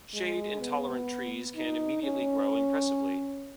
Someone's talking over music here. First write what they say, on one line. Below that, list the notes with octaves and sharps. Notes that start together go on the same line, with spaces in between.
Shade intolerant trees can immediately grow impressively.
G#3
B3
D#4
C#4